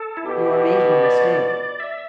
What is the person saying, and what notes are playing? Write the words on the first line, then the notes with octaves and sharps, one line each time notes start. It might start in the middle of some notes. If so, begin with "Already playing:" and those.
"You are making a mistake."
Already playing: A4
E4
B2 G4
D5
E5